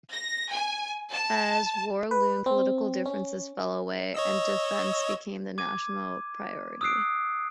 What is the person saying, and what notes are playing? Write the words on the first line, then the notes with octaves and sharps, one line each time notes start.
As war loomed, political differences fell away and defense became the national priority.
A#6
G#5
A5
B4
C4
C#4
C#5 D#5 E6
D6 G#6 D#7
D#6 E6 F#6 C7 D7